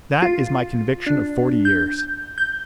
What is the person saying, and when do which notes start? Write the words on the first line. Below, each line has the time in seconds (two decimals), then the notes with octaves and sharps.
That is my conviction of forty years.
0.22 F4
1.06 D4
1.65 G6
2.38 G6